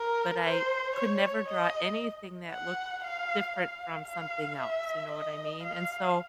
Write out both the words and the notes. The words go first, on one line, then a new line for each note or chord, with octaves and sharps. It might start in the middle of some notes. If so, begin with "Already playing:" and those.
but I could never draw anything that looked different from something else, you know what I mean, and so
Already playing: A#4
C5
C#5
D#5
F#5
F5
F5
F5
E5
D#5
F5